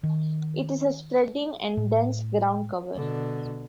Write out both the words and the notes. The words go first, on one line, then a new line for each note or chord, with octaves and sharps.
It is a spreading and dense ground cover.
D#3
A2
B2 D3